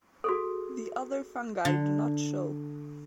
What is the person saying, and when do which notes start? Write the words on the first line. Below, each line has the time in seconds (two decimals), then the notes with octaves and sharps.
The other fungi do not show.
0.24 F#4 G#4 A4
1.65 D3